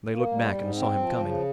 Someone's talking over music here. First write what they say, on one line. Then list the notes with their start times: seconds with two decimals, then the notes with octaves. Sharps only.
They looked back and saw him coming.
0.11 A#3
0.32 G3
0.55 G#2
0.75 C4
0.97 F3
1.18 C#3